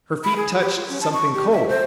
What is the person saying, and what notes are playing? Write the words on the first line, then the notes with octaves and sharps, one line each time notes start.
Her feet touched something cold!
B5
G#4
G4
F4
C#4
A5
C#6
G4
E5
C5